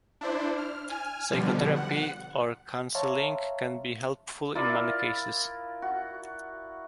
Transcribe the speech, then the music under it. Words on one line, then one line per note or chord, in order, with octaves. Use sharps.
Psychotherapy or counseling can be helpful in many cases.
D4 E4 C5
F6
G#5 F6
B2 D3 F3 G3
F#5
C#5 E5 F5 A5 A#5 C6
E4 F4 A#4 D5
F#4